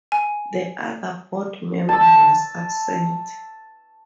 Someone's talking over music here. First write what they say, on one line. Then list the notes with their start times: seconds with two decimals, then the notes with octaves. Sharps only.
The other board member was absent.
0.12 G#5
1.89 A5 E6